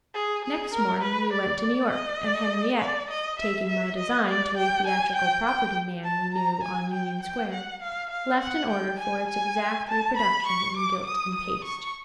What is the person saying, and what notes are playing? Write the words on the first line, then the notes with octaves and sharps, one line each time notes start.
Next morning we went to New York, and Henriette, taking my design to a theatrical property-man we knew on Union Square, left an order for its exact reproduction in gilt and paste.
G#4
G#4
A#4
B4
D5
D#5
D5
D#5
E5
E5
D#5
D5
G5
G#5
G5
G5
A5
A#5
G#5
G5
G5
F#5
F5
F5
F#5
G5
G#5
G#5
A5
B5
C#6
D6
D#6
D#6
C#6